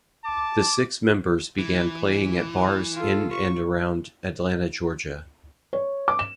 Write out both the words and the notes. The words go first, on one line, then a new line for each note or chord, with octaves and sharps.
The six members began playing at bars in and around Atlanta, Georgia.
A5 D6
E3
F4 A4
C#6
C#5
D6
E7